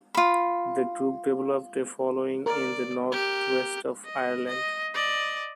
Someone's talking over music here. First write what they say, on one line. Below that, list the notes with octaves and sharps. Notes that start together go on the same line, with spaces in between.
The group developed a following in the North West of Ireland.
F4 B5
A#4 D5
G4 A#4 B5
D#5
D#5
D5 D#5